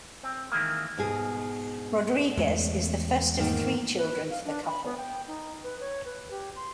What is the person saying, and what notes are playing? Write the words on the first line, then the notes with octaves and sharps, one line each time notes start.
Rodriguez is the first of three children for the couple.
C4
D#3 E3 G#3 A#3
G#2 B2 G#4
E2 G#3 A3
G#2 D#3 A#3
B4
F5
D4
B5
B3
G5
D#4
B4
C#5
B4
G4
C6